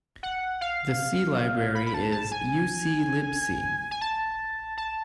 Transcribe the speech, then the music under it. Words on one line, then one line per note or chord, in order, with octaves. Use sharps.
The C-library is uClibc.
F#5
F5
B5
B5
A5
A5
G#5
G#5
A5
A5